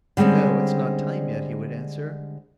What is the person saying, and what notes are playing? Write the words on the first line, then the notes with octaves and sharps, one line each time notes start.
"No, it's not time yet . . ." he would answer.
D3 G3 G#3 C4 C#4